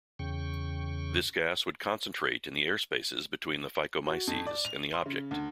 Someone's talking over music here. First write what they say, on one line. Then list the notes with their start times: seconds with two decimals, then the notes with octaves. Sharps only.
This gas would concentrate in the airspace between the "Phycomyces" and the object.
0.19 E2 C#3 G5 C#6
4.06 F#4
4.27 F2
4.47 D5
4.65 F7
4.93 C6
5.06 C#3
5.31 D2